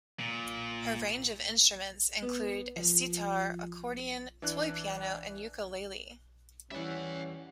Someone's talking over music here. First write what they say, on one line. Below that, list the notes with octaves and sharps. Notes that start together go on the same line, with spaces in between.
Her range of instruments include a sitar, accordion, toy piano, and ukulele.
A#2
B3
F3
E3 D4 F#6
E3 G3 C#4 E5 F#5